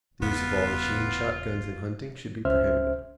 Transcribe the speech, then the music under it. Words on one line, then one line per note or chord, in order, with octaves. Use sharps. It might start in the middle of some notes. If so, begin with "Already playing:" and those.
The use of all machine shotguns in hunting should be prohibited.
E1 E2 C#3 B3 F4
C#2 C#4 C5 E5 F6